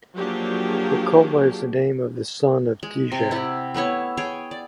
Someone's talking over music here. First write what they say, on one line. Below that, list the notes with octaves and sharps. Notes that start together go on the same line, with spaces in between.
Rokola is a name of the son of Degei.
F3 F#3 A#3 D4 G4 G#4
G#3
C3
E4 G4 F#5
A3 B3 E4 C#5
G#4 C#5 G5
D5